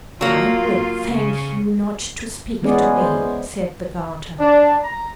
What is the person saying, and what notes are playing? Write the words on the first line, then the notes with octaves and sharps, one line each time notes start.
"I will thank you not to speak to me," said the garter.
F#3 A#3 F4
C#3
E3 G#3 B3 C#4 G#4 D5
C5
D4
A#5